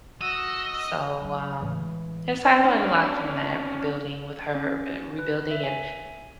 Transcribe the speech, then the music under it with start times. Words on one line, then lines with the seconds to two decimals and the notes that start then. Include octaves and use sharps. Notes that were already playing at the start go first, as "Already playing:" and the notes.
So, um, yes, I learned a lot from that, rebuilding with her, uh, rebuilding and
0.21 F#4 D#5 E6
1.21 F#3 E4
1.61 A2 E3 G#3
2.65 C#4 D4
4.55 C#4
5.19 B4
5.51 E5
5.63 G#5